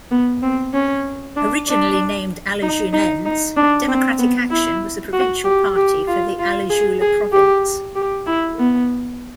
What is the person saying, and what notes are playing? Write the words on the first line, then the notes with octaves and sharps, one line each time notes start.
Originally named Alajuelense Democratic Action was a provincial party for the Alajuela Province.
B3
C4
C#4
D4
D4
D#4
D#4
D#4
D4
C4
B3
E4
F#4
G4
G4
F4
F4
G#4
G#4
G4
G4
E4
B3